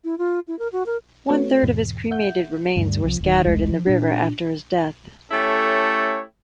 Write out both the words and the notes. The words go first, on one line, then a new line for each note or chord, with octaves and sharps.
One third of his cremated remains were scattered in the river after his death.
E4
F4
E4
A#4
F#4
A#4
A3 C4 F#4 A4 B4 C#5
E2 G#2 B2 E3
E5 F#5 G6
D2 G2 G3
C2 F3
D1 D#3
E1 C2 G#3
F3
A#2 D4
A3 C#4 E4 G4 A4 C#5